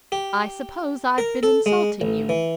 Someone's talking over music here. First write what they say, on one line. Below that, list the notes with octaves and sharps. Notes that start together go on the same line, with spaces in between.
I suppose I've been insulting you.
G4
A#4
A4
G#3
A1
E3